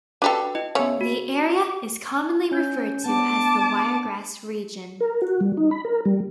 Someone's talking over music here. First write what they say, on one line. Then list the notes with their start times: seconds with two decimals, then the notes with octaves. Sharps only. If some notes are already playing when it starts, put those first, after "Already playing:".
The area is commonly referred to as the Wiregrass Region.
0.22 D4 F#4 G4 A4 B4 G5
0.55 E4 D#5
0.75 C#3 B3 C#5 E5
1.01 F#4
2.52 C#4 G6
3.06 B3 D4 A5 D6
5.00 A#4
5.22 F#4
5.41 G3
5.57 D#4
5.71 B5
5.85 A#4
6.05 G3